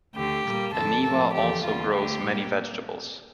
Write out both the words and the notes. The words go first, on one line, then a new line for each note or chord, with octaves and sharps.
Eniwa also grows many vegetables.
D2 D3 A3 G4
A#2 G3 A#3
F2 D3 A3 A4
A2 F3 A#3 A4
E2 D3 F3 A3 G4
E2 D3 G3 A#3 F4
D2 D3 A3 G4
A#2 G3 A#3